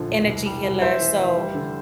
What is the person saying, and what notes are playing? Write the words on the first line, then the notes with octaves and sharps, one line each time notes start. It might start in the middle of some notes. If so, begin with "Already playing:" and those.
energy healer, so
Already playing: A#1 D3 F3
E1
C2
G3
C2
F1 C5 E5
E3
F1
G3
D3